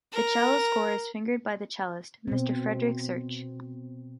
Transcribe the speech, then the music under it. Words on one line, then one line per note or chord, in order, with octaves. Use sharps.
The cello score is fingered by the cellist, Mr. Frederick Search.
A#4
B2 C4